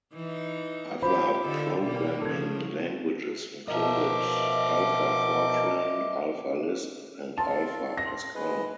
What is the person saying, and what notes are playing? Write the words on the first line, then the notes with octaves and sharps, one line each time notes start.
Other programming languages included AlphaFortran, AlphaLisp and AlphaPascal.
E3 D#4
F4 G4 C5 B5
D3 D#4 A4
B2 G3 A#3
C#3 F3 A4 G#6
B2 F3 A#4 D#5 E5 D6
C4 F4 A5
A#6
G#4 B4 D#5